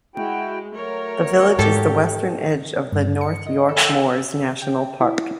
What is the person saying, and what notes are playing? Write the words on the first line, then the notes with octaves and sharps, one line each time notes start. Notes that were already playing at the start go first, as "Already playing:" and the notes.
The village is the western edge of the North York Moors National Park.
G#3 E4 F#4 G5
F#3 A3 A#4 C#5
G#2 G4 A4
G2
C#7
D#5
A4
E6
G5
E4